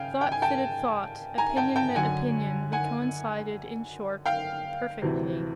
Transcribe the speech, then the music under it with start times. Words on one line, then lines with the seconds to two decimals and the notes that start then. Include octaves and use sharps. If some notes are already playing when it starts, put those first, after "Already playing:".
Thought fitted thought; opinion met opinion: we coincided, in short, perfectly.
Already playing: C#3 F5 G5 G#5
0.21 G5
0.32 G#5
0.42 G5 A5
1.38 G#5 A#5
1.57 G5 A5
1.76 G5 A5
1.96 F#2 D3 F#5 G#5
2.72 F#5 G#5
4.26 F5 G5
5.02 D2 C3 E3